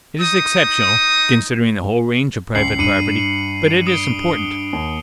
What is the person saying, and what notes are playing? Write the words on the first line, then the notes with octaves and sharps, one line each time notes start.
It is exceptional, considering the whole range of private property, but it is important.
D#4 D#6
C#2 C7 C#7 F#7
G2 C#7 D#7 F#7
D#6 D7 G7
D#2